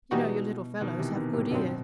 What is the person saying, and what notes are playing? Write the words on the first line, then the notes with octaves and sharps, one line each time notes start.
You know, your little fellows have good ears.
B2 E3 G3 D#4 F#4
B2 D#3
C3 E3
B2 D#3
A2 C3
G2 B2 D#3 F#3 C4